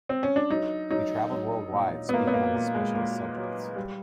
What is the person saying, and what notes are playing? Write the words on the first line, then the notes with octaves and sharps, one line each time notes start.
He traveled worldwide, speaking on his specialist subjects.
C4
C#4
D4
F#3 D#4
F#3 D#4
F#3
A#2
B3
A#2 A#3
B3
A#3
A#2
G#3
A#2
F#3
G3